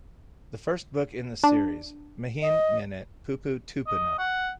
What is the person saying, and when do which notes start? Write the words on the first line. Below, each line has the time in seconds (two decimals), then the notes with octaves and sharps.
The first book in the series, Mihin menet Pupu Tupuna?
1.44 D4
2.42 D#5
3.87 D#5
4.18 F#5